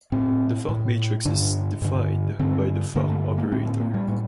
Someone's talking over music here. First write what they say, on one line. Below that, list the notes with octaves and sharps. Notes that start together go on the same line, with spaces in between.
The Fock matrix is defined by the "Fock operator".
A2 C4
A2
G2 D3 D4
G2 D3
G2 D3 C4
G2 D3 A#3
A3
A#3
A2 C4
C4
A#3
G3
A2